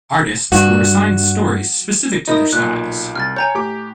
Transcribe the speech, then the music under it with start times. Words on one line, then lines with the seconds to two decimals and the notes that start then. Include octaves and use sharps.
Artists were assigned stories specific to their styles.
0.52 G2 F#4
2.28 D#4 E4 A#4 D#5 D#6
2.52 B1 A#2 F#6
3.15 C2 F6 A6
3.36 C#5 G5 G#5 A#5 G6
3.55 A2 G4 D6